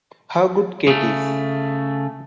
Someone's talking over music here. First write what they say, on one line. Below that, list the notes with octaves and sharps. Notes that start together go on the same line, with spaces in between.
How good Kate is!
C#3 A3